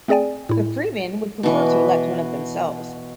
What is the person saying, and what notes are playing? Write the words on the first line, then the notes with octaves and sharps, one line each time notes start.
The freemen would prefer to elect one of themselves.
A3 C4 G#4 D5 G5 G#5
A2 E4
B2 E3 C#6